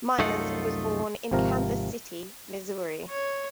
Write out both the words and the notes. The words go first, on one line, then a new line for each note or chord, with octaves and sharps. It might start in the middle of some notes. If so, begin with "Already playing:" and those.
Myers was born in Kansas City, Missouri.
C2 F#2 A3 D#4 F4 F#5
G#1 C3 F3 A#4
C#5